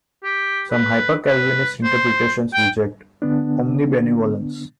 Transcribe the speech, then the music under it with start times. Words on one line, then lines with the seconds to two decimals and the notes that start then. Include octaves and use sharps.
Some Hyper-Calvinist interpretations reject omnibenevolence.
0.24 G4
0.71 B4
1.26 B4
1.84 C5
2.54 G5
3.22 D3 B3 D4